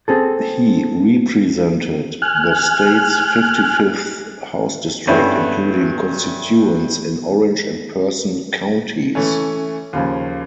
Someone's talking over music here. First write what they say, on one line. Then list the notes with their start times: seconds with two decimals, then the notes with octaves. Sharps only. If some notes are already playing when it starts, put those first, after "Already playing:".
He represented the state's fifty-fifth House district, including constituents in Orange and Person counties.
0.08 C4 G#4 A4
2.22 G#5 F6 F#6
5.07 G2 A3 B3 C#4 E4
9.15 E3 A3 C#4
9.93 D#2 C#3 F3